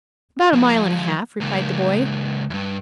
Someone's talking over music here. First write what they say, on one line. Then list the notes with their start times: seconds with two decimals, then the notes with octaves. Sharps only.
"About a mile and a half," replied the boy.
0.53 F3 G#3
1.41 C#2 A#3
2.50 E2 G2